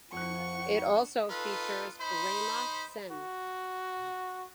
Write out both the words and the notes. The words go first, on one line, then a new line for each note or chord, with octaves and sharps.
It also features Raima Sen.
F2 F3 F#5 C#6 F#6
D#4 F4 A4 B4
D#4 C5 B5
F#4